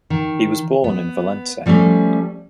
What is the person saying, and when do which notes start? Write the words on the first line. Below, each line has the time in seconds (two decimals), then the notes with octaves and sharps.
He was born in Valence.
0.10 D#3
0.84 B3
1.66 F3 G3 A3 A#3 C#4